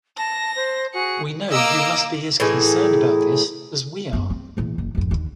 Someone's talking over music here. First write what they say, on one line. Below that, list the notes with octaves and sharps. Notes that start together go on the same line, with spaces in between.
We know you must be as concerned about this as we are...
A5 A#6
C5
F#4 G#4 C#7
A#3 D#5 D6 E6
A2 E3 D#4 G#4
F#2 B3
C4
A#1 E2
F#1
G#1 F2
D#2 D3